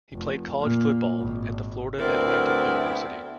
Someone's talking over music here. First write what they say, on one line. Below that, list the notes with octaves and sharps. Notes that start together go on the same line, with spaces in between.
He played college football at the Florida Atlantic University.
F1
A#2 A#3
G#1
D2 B3 C4 E4 A#4 D5